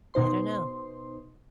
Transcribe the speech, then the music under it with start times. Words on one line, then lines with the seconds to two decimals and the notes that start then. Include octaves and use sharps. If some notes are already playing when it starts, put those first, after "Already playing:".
I don't know.
0.14 B2 D#4 C5 C6